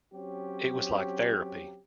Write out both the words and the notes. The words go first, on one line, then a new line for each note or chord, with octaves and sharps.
It was like therapy.
F#3 C4 C#4 G4